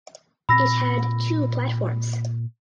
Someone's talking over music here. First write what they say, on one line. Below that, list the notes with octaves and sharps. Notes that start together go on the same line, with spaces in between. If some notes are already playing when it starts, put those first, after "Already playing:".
It had two platforms.
A#2 C4 B5 E6 A#6